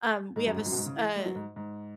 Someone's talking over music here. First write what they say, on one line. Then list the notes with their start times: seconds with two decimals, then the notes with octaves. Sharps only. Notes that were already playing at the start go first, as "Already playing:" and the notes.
Um, we have a s a
0.36 G#2
0.47 F#2
0.56 G#2
0.66 F#2
0.72 B2
0.76 G#2
0.86 C#3
0.96 E3
1.16 G#3
1.26 F#3
1.36 G#2
1.56 G#2